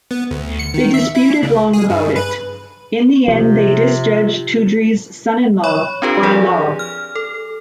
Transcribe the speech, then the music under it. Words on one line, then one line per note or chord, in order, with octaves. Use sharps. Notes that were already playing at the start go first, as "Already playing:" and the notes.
They disputed long about it; in the end they disjudge Tudri's "son-in-law" by law.
B3
D2
C#7
D#3
E5
E4
C#2
G#4
G2
B4
C3 F3
C#5 B5 C#6
C4 D4 F4 G4 A4 B4
F3 G4 G#4 D5
F6
A4